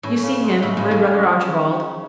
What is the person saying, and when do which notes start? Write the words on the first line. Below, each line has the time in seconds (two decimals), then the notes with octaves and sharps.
"You see him--my brother Archibald?"
0.03 A2 C#4
0.23 C#3
0.43 G#3
0.62 A2 C#3
0.77 A2 C#3
0.91 A2
1.01 C#4